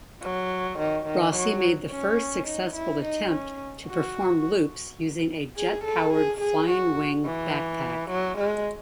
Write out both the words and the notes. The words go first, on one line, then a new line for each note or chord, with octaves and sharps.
Rossy made the first successful attempt to perform loops using a jet-powered flying-wing backpack.
F#3
D#3
D#3
F#3
C#4
D#4
E4
D#4
C#4
F#4
G#4
A4
G#4
G#4
F#4
E3
F#3
G#3